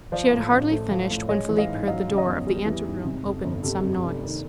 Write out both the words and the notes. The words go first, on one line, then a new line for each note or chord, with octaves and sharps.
She had hardly finished when Philip heard the door of the ante-room open with some noise.
F3 C5 D5
A2
A1
A3
F3
A2
G#3 C#5 D#5
E3
D#5 F5
G#2
F#3 D#5 F5
C#3
C#5 D#5
E2
G3
E3
G#2
C3
F2
G1
C3 G4 A4
F2
G4
F1
D#3